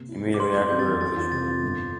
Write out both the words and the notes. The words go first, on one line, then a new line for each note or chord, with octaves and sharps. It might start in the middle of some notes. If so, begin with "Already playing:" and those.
Immediately after the Revolution.
Already playing: C3 A#3
E4
F3
D6
G3 C6
F2 C6
F2 G6
A6
E3 G6
F2 A6
F3
C3 A6
F3
G1